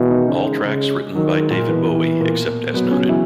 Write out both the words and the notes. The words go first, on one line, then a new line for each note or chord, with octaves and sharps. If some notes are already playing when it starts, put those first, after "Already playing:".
All tracks written by David Bowie except as noted.
Already playing: B2 E3 G#3 E4
D#3 D#4
C#3 C#4
G#3
C#3
D#3 F#3
G#3
A#2 A#3
B2 E3 B3
A#2 A#3
B2 F#3 B3
C#3 C#4
E3 E4